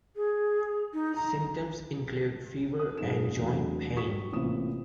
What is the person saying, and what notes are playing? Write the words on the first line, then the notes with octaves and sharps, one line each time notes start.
Symptoms include fever and joint pain.
G#4
D#4
A#5
D#6
F#1 G#2 D#4 G#4 E7
E2 F#3 A3 D4
F#3 G4 C#6 D#6 B6 E7
A1 C3 A#3 F4 D#6 E7